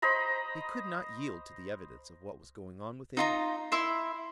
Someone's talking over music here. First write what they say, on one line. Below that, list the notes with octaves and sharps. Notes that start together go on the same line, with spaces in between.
He could not yield to the evidence of what was going on within him.
C5 D#5 A#5 B5
D#4 F4 A#5
E4 E5 C6